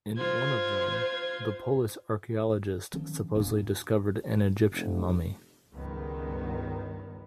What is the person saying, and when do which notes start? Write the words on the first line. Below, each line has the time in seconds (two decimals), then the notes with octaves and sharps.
In one of them, the Polish archaeologists supposedly discovered an Egyptian mummy.
0.17 F4 C5 G#6
2.93 D#3 F3 C4 C#4
3.35 D#1 E2 A#2 D4
4.72 F1
5.73 C#2 G2 D#3 B3